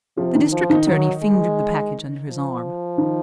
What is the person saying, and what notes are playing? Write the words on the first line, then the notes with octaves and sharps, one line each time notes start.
The district attorney fingered the package under his arm.
C3 F3 F4
D#3 D#4
F3
F4
D#3 D#4
D#3 F#3 D#4
G#3
F3
D#3 D#4